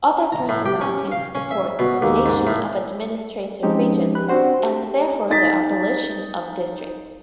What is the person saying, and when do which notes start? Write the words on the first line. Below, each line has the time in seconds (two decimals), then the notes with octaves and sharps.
Other personalities support the creation of administrative regions and therefore the abolition of districts.
0.32 A#5
0.49 A2
0.65 G4
0.81 C#4
1.12 F5
1.35 C#4
1.51 E5
1.79 B2
2.02 D#2
2.26 G#2
2.47 A2
3.63 F3 G#3 C4 C#4 D#4 G4
4.15 B5 F#6
4.29 C4 D4 F#4 C5 F#5
4.64 G4
5.30 D#4 A6 B6